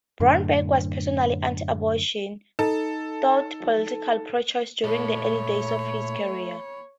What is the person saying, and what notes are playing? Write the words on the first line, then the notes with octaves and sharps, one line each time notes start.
Brownback was personally anti-abortion though politically pro-choice during the early days of his career.
F#2 A2 D3
D#4 A4
A#2 A3 A4 C#5 B5